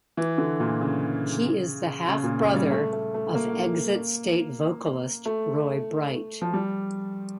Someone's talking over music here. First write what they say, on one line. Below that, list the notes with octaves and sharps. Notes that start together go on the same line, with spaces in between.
He is the half-brother of Exit State vocalist Roy Bright.
E3
D3
A#2
C#3
C#3
A#2
C#3
G3
A3
A3
A3
A#3
A3
F3
G3